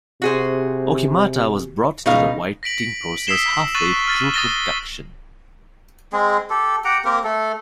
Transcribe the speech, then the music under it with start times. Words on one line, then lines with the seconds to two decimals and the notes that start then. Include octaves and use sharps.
Okimata was brought into the writing process halfway through production.
0.22 C3 F#4 G#4 C5
2.06 C#2 B2 D#4 F5
2.63 A#6 B6 D7 F#7
3.27 D#6 E6 B6 C7 E7 G7
3.75 C#6 F#6 A6 D#7 F#7
4.07 F6 A6
4.34 D#6 A6 A#6 D#7 G7
6.13 G#3 C4 G#4
6.50 G4 A4
6.85 G4 F#5 G5 A#5
7.05 A#3 C4 G4 A#4
7.24 A3 A4